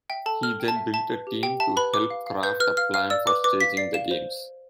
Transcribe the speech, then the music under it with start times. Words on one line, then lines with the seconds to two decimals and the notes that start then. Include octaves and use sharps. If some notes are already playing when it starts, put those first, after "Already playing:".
He then built a team to help craft a plan for staging the Games.
0.10 E5 G5
0.26 A4 A5
0.43 A4 F6
0.60 G5
0.68 A5
0.76 E5
0.93 E5 A5
1.10 B4
1.27 G4
1.43 G4 G5
1.60 E5 A5
1.77 B4 B5
1.93 B4 D6
2.10 F5
2.27 F5
2.43 B4 G6
2.60 B4 F6
2.77 F5 F6
2.94 F5 F6
3.10 D5 E6
3.27 B4 D6
3.44 B4 D6
3.61 F5 B6
3.77 D5 C7
3.94 F5 E7
4.11 C5